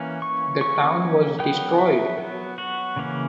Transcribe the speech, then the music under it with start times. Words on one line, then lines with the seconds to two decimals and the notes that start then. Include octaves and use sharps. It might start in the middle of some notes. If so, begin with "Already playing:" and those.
The town was destroyed.
Already playing: E3 A#3 C#4
0.22 C#6
0.61 E3 A#3 C#4 C#6
1.39 F#3 B3 G5
1.79 E5
2.18 F#3 B3
2.58 F#4
2.96 C#3 E3 A#3 C#4